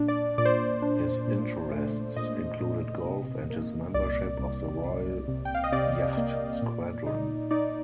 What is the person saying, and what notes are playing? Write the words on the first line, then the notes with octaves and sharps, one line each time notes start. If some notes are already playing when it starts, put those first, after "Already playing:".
His interests included golf and his membership of the Royal Yacht Squadron.
Already playing: A#2 D4
D5
A#2 D5
C5
D5
D4
A#2
A3
A#2 D#5
A#2
C3
A#3
C2 D5
C2
C2
C3
G5
F5
D#5
C3 D5
A#3
A#2
D#4
D#4 D5